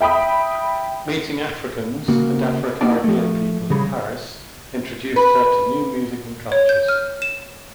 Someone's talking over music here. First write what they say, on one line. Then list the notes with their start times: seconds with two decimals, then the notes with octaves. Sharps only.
Meeting Africans and Afro-Caribbean people in Paris introduced her to new music and cultures.
0.01 E5 G5 B5 D#6
2.08 C#3 A#3 F#4
2.81 A#3 D#4 E4 G4 D5 A5
3.04 F3 A3
3.70 C#3 G3 G#4 C#5 A#5 B5
5.16 B4
6.52 C#5
6.69 G6
6.88 F6
7.22 E7